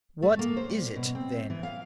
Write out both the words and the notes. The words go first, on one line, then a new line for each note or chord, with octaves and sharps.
"What is it, then?"
A3
A#3
C5
G3
B2
C4
E3
F5